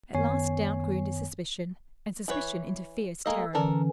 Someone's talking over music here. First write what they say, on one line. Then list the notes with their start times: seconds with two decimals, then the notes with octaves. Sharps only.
At last doubt grew into suspicion, and suspicion into fierce terror.
0.15 F#2 D#3 B3 C#5 G#5 C7
2.28 E3 B4 C#5
3.26 G#3 A#3 A4 D#5
3.55 D3 E3 C#4 A4 A#4 D5